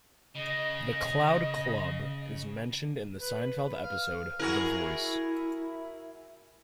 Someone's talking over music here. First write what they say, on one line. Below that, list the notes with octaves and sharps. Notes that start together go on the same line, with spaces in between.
The Cloud Club is mentioned in the Seinfeld episode The Voice.
C#3 D#5
B4
F5
E4 F#4 G#4 A#4